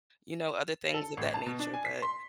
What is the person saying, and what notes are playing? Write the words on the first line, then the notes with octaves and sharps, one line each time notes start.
you know, other things of that nature, but
A4
A1
A5
B2
D4
G#5
B6
C6